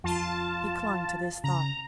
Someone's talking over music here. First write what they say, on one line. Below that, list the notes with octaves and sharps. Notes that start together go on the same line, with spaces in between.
He clung to this thought.
F2 F4 A5
C#3 A#5